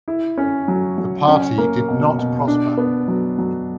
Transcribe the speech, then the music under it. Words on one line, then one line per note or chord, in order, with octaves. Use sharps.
The party did not prosper.
E4
C#4
F#3
F#3
C#4
A#3
B2
B2
D4
B3
F#3
F#3